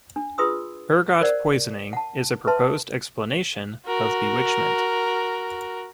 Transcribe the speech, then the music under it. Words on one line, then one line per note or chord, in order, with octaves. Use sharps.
Ergot poisoning is a proposed explanation of bewitchment.
D4
F4 G#4 B4 C6 D#6 E6
A#4 C5 D5 F#5
F#5 A5
B4 E5 A5 C6
F#4 A#4